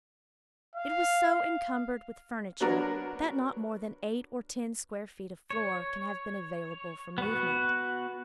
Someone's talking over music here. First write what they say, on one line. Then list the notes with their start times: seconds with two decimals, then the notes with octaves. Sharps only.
It was so encumbered with furniture that not more than eight or ten square feet of floor can have been available for movement.
0.76 F5
2.60 F#3 B3 D4 F#4 A#4 A#5
5.50 C#5
7.18 B3 F#4